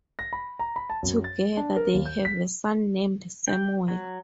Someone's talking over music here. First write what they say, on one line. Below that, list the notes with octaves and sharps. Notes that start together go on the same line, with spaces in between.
Together, they have a son named Samuel.
A#6
B5
A#5
B5
A5
F#2
A6
D4
A#4
D#2
G6
B6
G5
F#3